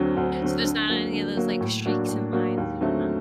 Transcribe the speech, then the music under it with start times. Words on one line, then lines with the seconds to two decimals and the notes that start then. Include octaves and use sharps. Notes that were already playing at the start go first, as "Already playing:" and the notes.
so there's not any of those, like, streaks, and lines, and whatnot.
Already playing: D2 D3 F#3 C4
0.17 D2
0.42 D3 F#3 C4
0.64 D3
0.90 F#3 A#3
1.13 D3
1.37 F#3 A#3
1.60 A2
1.85 F#3 A#3 D4 F#4
2.09 A2
2.33 F#3 A#3 D4 F#4
2.57 D#2
2.81 D3 F#3 A3 C4